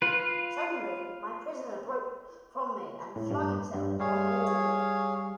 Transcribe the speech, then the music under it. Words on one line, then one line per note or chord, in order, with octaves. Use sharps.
Suddenly my prisoner broke from me and flung himself on the wall.
F4 B4
A2
G2
G2
G3 G#4 C#5 F5